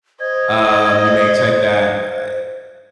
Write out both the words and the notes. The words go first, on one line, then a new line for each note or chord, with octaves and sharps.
um, you may check that, uh,
C5 D#5 G#6